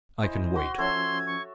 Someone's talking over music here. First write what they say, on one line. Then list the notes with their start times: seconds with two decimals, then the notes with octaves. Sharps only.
I can wait.
0.24 E4 C5 D#5 G#5
0.56 F#4 C6
0.78 F3 C#4 A4 C#5 E5 C6 G#6
1.26 C#6